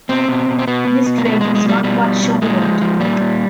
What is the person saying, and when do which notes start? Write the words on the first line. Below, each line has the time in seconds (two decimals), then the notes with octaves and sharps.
This trade was not what Shaw wanted.
0.09 B2 C4
0.28 B2
0.49 B2
0.59 C4
0.67 B2 B3
0.87 B2
1.06 B2
1.18 A#3
1.25 B2 A3
1.40 B2 G#3
1.55 G#3
1.65 B2 G3
1.84 B2 G3
2.04 B2
2.23 B2
2.42 A#2 G#3
2.61 F3
2.81 F3
3.00 A#2 G3
3.20 A#2